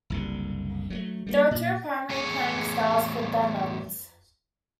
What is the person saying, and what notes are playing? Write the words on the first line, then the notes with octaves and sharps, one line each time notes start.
There are two primary playing styles for dununs.
F#1 C2 D3
F#3 G3 A3
G3 G#3 A#3
A#2
E2 A2 G#4 C#5 G#5